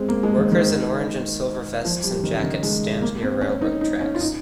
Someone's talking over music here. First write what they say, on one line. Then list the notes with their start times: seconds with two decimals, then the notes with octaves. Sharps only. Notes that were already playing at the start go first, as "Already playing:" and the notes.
Workers in orange and silver vests and jackets stand near railroad tracks.
Already playing: G#3 C4
0.09 A#3
0.23 G#3
0.38 D#3
0.52 D#3
1.85 F3
2.04 G3
2.23 D#3
2.35 C#3
2.43 D#3
2.63 G#3
3.02 A#3
3.22 C4
3.41 C#4
3.61 D#4
3.81 D#4
4.00 C#4
4.15 F4
4.21 D#4